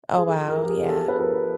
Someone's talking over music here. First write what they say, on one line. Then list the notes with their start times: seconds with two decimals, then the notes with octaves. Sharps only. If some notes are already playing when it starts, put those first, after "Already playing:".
Oh, wow, yeah.
0.17 G#4
0.28 F3 A4
0.48 A#4
0.58 F3
0.64 G4
0.69 G#4
0.89 B3 A4
1.08 B4
1.18 F3 A#4